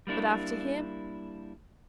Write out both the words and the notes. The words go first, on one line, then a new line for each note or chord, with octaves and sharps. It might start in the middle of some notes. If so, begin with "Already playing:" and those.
But after him?'
G3 A#3 D4 E4